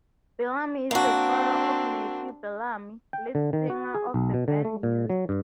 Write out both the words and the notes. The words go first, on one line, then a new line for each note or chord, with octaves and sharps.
Bellamy is the father of Matthew Bellamy, lead singer of the band Muse.
A#3 C4 D4 F#4
G5
D3
D#3
F#4
G#4
B1
B2
D3
A3
A#2
F#3
G2